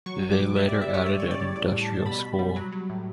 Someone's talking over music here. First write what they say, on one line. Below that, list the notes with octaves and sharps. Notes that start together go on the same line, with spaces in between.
They later added an Industrial School.
F#3 C#6
F#3
D6
B2
G3 E5
D5
G3
E5
G3 C#5
G3 D5
C#3 C#5
D5
G3
A2 D5
A2
A5
G3
B2 B5
B2
G3
F#3
F#3
A2